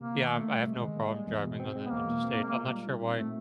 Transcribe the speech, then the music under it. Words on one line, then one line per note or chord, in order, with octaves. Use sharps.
Yeah, um, I, have no problem driving on the interstate, I'm not sure why
C3 A#3
D#3
A3 A#3
G3
C3 G#3
D#3
A#3
G3
E2
B2
C4
G#3
B3
E2 A#3
B2
C4
G#3
A#2
G3
D#4
C4
A#2 A3